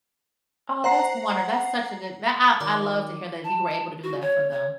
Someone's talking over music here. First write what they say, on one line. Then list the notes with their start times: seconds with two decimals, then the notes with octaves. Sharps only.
Oh, that's wonder that's such a good that I I love to hear that you were able to do that for them.
0.84 C5 F#5 A#5 C7
2.60 D#3 F#3 D5 D6
3.44 A5
4.03 F#4
4.21 C#5
4.52 C#5